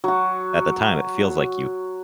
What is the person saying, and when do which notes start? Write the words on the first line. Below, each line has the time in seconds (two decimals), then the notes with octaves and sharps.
at the time, it feels like you
0.04 F#3 F#4